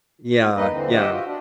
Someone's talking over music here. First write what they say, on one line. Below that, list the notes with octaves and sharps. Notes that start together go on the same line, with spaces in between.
Yeah, yeah.
E2 G2 A#3 D#4 B4 D#5
D3 E3 C4
G4 D#5 E5 F#5
F4 F#4
D4